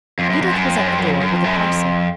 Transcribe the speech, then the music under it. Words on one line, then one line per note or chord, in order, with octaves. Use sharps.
Edith was at the door-with a parcel.
F2
F#2
F2
F#2
F2
F#2
F2
F#2
F2
F#2
F2
F#2
F2